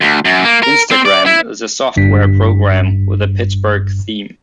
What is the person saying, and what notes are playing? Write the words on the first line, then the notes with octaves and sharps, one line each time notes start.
Yinztagram is a software program with a Pittsburgh theme.
D2
F#2
A#3
A#4
C4
D5
E4
G1 G2 B6